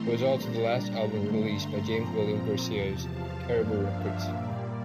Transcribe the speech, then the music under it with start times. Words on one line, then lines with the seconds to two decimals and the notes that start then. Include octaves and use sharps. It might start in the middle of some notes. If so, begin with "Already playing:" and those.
It was also the last album released by James William Guercio's Caribou Records.
Already playing: A2 E3 A3 C4 A#5 C6
0.27 A#2 G3 D4
1.06 G2 D3 A3 C6
1.46 A#5
1.87 A#2 F3 C4
2.67 E2 C3 F3 A5
3.07 F5
3.47 G2 F3 A#3 D4 F5
3.87 E5
4.27 A#2 G3 A#3 D5